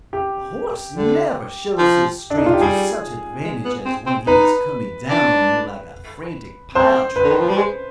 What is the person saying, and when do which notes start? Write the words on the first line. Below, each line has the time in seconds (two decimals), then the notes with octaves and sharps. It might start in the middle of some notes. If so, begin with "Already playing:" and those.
A horse never shows his strength to such advantage as when he is coming down on you like a frantic pile-driver.
0.13 G4
0.96 D3
1.78 F3
2.30 D4
2.38 D#4
2.46 F4
2.54 G4
2.61 G3 G#4
3.44 G#3
3.65 B3
3.85 C4
4.06 C4
4.27 D#4 B4
5.09 D4
6.75 C4 C5
7.16 B4
7.24 D3
7.32 D#3
7.40 F3
7.49 G3
7.57 G#3